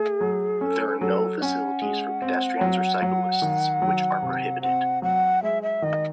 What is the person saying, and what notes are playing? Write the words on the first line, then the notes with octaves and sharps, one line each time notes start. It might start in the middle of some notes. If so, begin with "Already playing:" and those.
There are no facilities for pedestrians or cyclists, which are prohibited.
Already playing: A3 G#4
F#3
C#4 A4
F#3 A4
C#4 F#5 G#5
G#3
C4
F#3
F#3
D#3
F#3
C3
C4 F#5
F#3 F#5
G#3 E5
E5
D#3 D#5